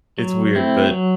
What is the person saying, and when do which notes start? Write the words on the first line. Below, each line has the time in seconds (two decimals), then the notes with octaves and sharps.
It's weird, but,
0.18 F#3
0.55 A3 C4 E4
0.91 F#3